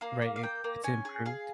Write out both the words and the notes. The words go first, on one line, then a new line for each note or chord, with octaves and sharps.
Right. It It's improved.
A#3 F5
A#3
F5
A#3 G5
A#3
C#4 G#5
G#4
G#4 F5